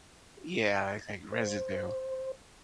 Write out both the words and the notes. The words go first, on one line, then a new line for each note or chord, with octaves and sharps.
Yeah, it's like residue.
C5